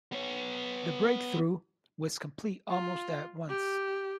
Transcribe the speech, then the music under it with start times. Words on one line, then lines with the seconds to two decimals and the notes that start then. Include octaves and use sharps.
The break through was complete almost at once.
0.12 B3 C#5
2.70 F4
3.49 G4